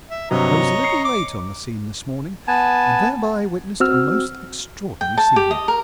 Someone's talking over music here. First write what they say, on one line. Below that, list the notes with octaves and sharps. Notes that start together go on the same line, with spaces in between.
I was a little late on the scene this morning, and thereby witnessed a most extraordinary scene.
E5
G2 C3 F#3 C#5 D#5 A#5
C7 C#7
D6
B3 G#5 A5
C4 F#4 E6 F6
G5
A5
G4
D#5
A#4